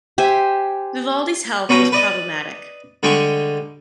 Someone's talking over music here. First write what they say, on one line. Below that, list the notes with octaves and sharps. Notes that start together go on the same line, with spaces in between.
Vivaldi's health was problematic.
G4 C5 E5 G#5
B2 C#4 F#4 B4 G5 A#5
B4 D5 D#5
D3 G3 G#3 G5 C#6